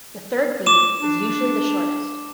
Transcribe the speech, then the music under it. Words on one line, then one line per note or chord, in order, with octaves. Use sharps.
The third beat is usually the shortest.
D6 E7
D4